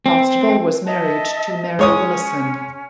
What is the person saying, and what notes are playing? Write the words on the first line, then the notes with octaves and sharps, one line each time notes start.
Constable was married to Mary Willison.
C4
D#5 E5 A5
G#3 C#4 C#5 D#6